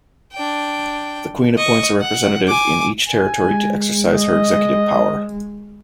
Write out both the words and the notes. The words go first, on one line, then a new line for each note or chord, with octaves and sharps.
The Queen appoints a representative in each territory to exercise her executive power.
D4 G5
D#5 C#6
F#5
G#5 D6
G#5
G#3
D#5